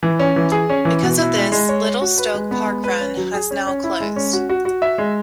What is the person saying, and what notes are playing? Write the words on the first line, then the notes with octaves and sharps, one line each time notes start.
Because of this, Little Stoke Parkrun has now closed.
E3
C#4
E3
G#4
C#4
E3
B2
E4
G#3
G#3
C#5
C#5
F#4
B4
G#3
B3
G#3
B4
C#4
F#3
G#4
C#4
C#4
E4
G#3
C#4
F#4
F#4
F#4
E5
G#3